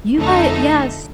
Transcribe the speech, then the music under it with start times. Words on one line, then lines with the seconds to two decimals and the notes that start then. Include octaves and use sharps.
You got yes.
0.16 F2 D3 A3 D#4 A4